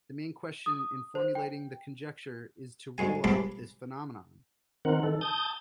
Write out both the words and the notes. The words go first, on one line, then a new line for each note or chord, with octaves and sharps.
The main question in formulating the conjecture is to rule out this phenomenon.
D#6
C5
G5
D2 G#2 G#4 G#5
C#2 C3 G#4 A5 B5 D6
D#3 C4 A#4 F#5
D#3 A4
A5 D#6 G6